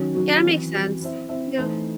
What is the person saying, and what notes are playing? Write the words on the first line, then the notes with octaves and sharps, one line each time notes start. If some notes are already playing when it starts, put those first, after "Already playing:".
Yeah, that makes sense, yeah.
Already playing: D#3 F#3 C#4 F#4
D#3 F#3 C#4 F#4
E3 C4 F#4
E3 C4 F#4
C4 E4 C5 E5
C4 E4 C5 E5
E3 A3 D#4 A4 C5